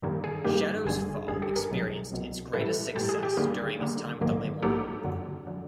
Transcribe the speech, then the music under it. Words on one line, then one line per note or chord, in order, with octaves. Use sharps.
Shadows Fall experienced its greatest success during its time with the label.
G2 D#3 G3 A#3
G#4
G2 D#3 G3 A#3 G4
G1 G2 D3 G3 G#4
G1 G2 D3 G3 G#4
G4 A4
G#4 A#4
C2 B2 F#3
C2 B2 F#3
A2 E3 G3 A4 B4
A2 E3 G3 G4 A4
G#4
G4
D#2 D3 G3 A#3 G#4
D#2 D3 G3 A#3
A#1 G#2 D#3 F#3 A#3
A#1 G#2 D#3 F#3 A#3 G4 A4
F#2 D3 F#3
D3 F#3